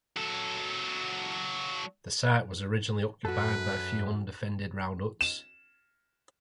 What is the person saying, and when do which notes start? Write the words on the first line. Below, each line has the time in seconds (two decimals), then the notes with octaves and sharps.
The site was originally occupied by a few undefended round huts.
0.17 F#3 A4
3.25 F#2 F#4 A4 B4
5.21 E7